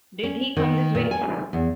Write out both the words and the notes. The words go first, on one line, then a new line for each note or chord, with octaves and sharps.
Did he come this way?
C#4
D#3
A#2
G#5
E2